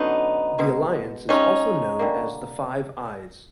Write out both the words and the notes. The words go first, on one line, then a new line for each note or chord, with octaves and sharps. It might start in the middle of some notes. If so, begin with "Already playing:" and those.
The alliance is also known as the Five Eyes.
Already playing: D3 F#3 B3 C#4 D#4
B2 G#3 B3
C3 F3 G#3 C#4 D#4
D3 G3 A#3